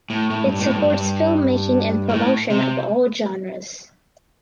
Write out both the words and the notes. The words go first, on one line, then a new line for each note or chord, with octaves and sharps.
It supports filmmaking and promotion of all genres.
A2
A2
G2
A2
A2
G2
G2
A2
C3